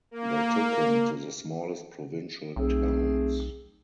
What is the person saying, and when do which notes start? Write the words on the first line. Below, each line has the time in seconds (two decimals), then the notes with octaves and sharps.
They took him to the smallest provincial towns.
0.11 A#3
2.56 B1 A3 C4 G#4